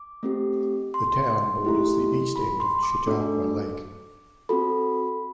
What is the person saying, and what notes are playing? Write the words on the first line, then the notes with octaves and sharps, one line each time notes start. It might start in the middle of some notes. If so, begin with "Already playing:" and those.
The town borders the east end of Chautauqua Lake.
Already playing: D6
A3 C4 G4
C6
A3 E4 G4
B5
C6
D6
A3 D4 F#4 A4 D6
C4 F#4 A4 B5